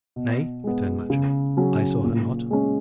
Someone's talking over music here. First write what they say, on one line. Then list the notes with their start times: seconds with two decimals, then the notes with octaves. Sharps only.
"Nay," returned Matcham, "I saw her not."
0.16 B2
0.64 G#3 B3
1.10 C#3
1.57 F#3 C#4 G#4
2.04 A#2
2.51 G#3 C#4